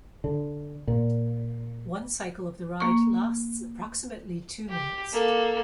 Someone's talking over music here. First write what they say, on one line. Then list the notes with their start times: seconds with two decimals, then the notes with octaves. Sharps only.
One cycle of the ride lasts approximately two minutes.
0.24 D3
0.87 A#2
2.80 A#3 C#6
4.69 G4
5.12 A#3 A4